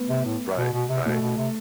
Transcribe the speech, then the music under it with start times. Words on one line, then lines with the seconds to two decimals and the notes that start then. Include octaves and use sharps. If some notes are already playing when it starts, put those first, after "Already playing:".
Right, right.
Already playing: A3 B3
0.10 C3
0.25 A2
0.58 B2
0.73 B2
0.89 C3
1.06 B2 A3
1.22 B2
1.37 C3